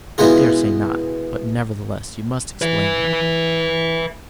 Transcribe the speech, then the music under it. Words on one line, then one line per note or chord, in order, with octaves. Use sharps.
"I dare say not; but, nevertheless, you must explain them."
B2 E3 G#3 B3 F4 G#4
B4 E5